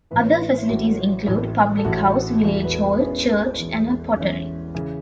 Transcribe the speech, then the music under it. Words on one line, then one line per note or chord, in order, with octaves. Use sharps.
Other facilities include: Public House, Village hall, Church and a Pottery.
A1 A2 E3 B4
C#5
B4
E4
A1 A2 E3 F#4
A1 A2 E3
A4
A1 A2 E3 F#4
E1 E2 E3 F#4
B4
A4
B3
E1 E2 E3 C#4
E1 E2 E3
E1 E2 E3 C#4
C#3 E3